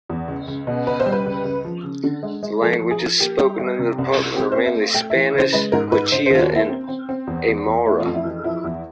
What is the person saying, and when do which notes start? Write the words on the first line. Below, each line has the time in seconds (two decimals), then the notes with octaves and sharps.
The languages spoken in the department are mainly Spanish, Quechua and Aymara.
0.09 E2
0.28 C#2
0.48 C#2
0.67 B2
0.87 C#2 B4
1.00 C5
1.06 G3
1.12 B4
1.26 C#2
1.45 C#2
1.65 F3
1.84 C#3
2.04 D3
2.23 G#3
2.43 G#3
2.61 F3 A4
2.82 F3
2.91 G#4
3.01 F3
3.20 A#3 G4
3.40 G3
3.59 G3
3.79 C3
3.98 C2
4.17 C2
4.36 C4 G4
4.52 C5
4.56 C4
4.66 E5
4.75 A3
4.94 A3 G5
5.10 E5
5.15 E3
5.34 C#3 C5
5.53 G#3 B4
5.72 G#2 A#4
5.92 G#2 B4
6.11 C#3 C5
6.26 C5
6.31 D#2 F4
6.41 F#4
6.50 A#3 E4
6.69 C4
6.89 C4
7.09 C4
7.27 E2
7.48 E2
7.66 E2
7.86 A3 E4
8.00 F4
8.06 F2
8.15 E4
8.25 E3
8.44 F3 E4
8.64 E2